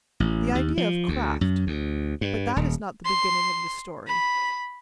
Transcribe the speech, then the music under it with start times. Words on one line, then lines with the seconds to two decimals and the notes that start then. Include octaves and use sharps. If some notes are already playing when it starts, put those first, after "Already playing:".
The idea of Kraft--but that is not the beginning of the story.
0.20 A1
0.55 D#2
0.77 F3
1.08 D2
1.41 F#2
1.67 D2
2.21 G2
2.56 D#1
3.05 C6
4.07 B5